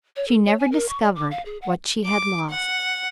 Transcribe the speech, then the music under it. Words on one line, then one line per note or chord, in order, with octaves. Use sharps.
She never discovered what she had lost.
C#5
A4
C#5
G#5
A#4
C#6
D5
D6
F5
G#4
F#5
D6
F#5